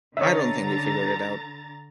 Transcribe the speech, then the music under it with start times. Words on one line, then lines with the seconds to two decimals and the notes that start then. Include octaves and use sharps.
I don't think we figured it out.
0.17 D3 C#5 D#5 E5 A#5 A6